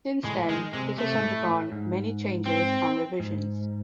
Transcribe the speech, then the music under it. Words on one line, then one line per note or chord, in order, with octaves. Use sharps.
Since then, it has undergone many changes and revisions.
A2 G#3
D#3 G#3
C3 G#3
C3 A3
G#2
A2
A2
G#2
C4
G#2